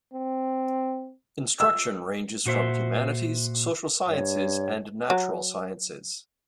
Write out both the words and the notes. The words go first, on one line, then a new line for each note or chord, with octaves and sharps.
Instruction ranges from humanities, social sciences, and natural sciences.
C4
E6
A#2 F#4 C5 E5
G2 C#5
F#3